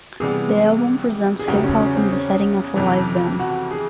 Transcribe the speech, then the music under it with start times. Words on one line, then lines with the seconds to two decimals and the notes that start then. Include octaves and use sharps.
The album presents hip hop in the setting of a live band.
0.20 C3 E3 G3 B3 G#4
1.39 G#4
1.48 E2 C#3 F#3 B3 E4 G4
1.64 C#4
1.80 C#4
1.96 C4
2.12 C#4
2.76 F2 C3 E3
3.39 F#4
3.71 G#4